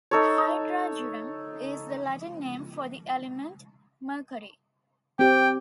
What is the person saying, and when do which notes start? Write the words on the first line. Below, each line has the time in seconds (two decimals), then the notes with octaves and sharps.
"Hydrargyrum" is the Latin name for the element mercury.
0.11 D#4 A4 C#5
5.19 C4 G4 G5